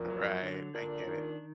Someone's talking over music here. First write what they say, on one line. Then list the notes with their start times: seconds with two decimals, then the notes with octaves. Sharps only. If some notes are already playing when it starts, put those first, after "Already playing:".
Right, I get it.
Already playing: F2 A#2
0.10 F#3
0.42 D3
0.74 A#2 D4
1.07 D#3